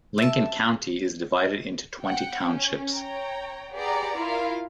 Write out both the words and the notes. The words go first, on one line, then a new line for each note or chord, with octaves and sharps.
Lincoln County is divided into twenty townships.
E5 A5
F#5 G5
C#4
C#5 G5 A#5
G4 G#4 B4 D5 F#5 A#5
E4 F4 A#4 F5